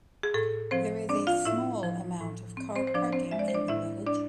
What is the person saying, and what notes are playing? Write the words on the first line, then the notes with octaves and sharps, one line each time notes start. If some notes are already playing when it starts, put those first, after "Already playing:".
There is a small amount of car parking in the village.
G#4
A2 A4
F3 C4 C5
C4 D4 D5
F4 F5
A2 E4 E5
F3
A2
C4
C4 C5
C5
F3 D4 D5
C4 C5
G#3 E5
D5
C5
D4 D5
A2 E4 E5
D4 D5